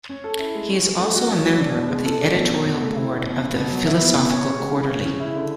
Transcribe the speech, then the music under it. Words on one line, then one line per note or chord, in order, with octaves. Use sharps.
He is also a member of the editorial board of "The Philosophical Quarterly".
C#4
A4
E4
G#3
C#4
F#3
A3
F#4
C#4
F#3
D4
B2
G#3
A4
D4
B2
C#4
B2
A3
E4
C#4
B2
B3
B2
F#3
E4
B3
B2
C#4
C#3
G#3
C#3
C#4
C#3
E4
D3